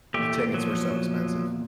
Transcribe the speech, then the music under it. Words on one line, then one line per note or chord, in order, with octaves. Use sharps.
The tickets were so expensive.
E2 A#2 A3 G4
F3 F#3